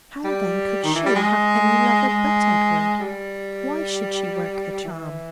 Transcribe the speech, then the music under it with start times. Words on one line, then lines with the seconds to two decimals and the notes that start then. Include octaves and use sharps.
How, then, could she have any lover but Edward? Why should she work the charm?
0.25 G3
0.84 D#3
0.95 E3
1.06 G3
1.15 G#3
2.08 G#3
3.00 G3
4.85 E3